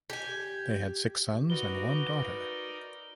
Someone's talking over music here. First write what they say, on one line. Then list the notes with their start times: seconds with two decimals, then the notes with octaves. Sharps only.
They had six sons and one daughter.
0.10 G4 G#5
1.50 D#4 F#4 A#4 B4 D5 G7